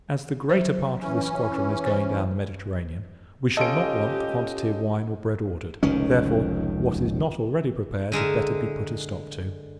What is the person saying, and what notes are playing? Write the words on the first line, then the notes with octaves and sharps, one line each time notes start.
As the greater part of this squadron is going down the Mediterranean, we shall not want the quantity of wine or bread ordered; therefore, what is not already prepared had better be put a stop to.
F#3 C5
E3 C#4
C5
C#4 F4 G4 A4 D#5 D7
F1 C#2 D#3 C#4
D3 G#3 A#4 E5